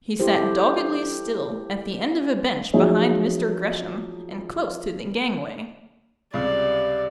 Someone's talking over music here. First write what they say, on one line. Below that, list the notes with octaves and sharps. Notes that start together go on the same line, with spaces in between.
He sat doggedly still, at the end of a bench behind Mr. Gresham, and close to the gangway.
E4 G4 A4 C5
F3 F#3 D#4 G#4 C#5 E5
C#2 C3 G3 D5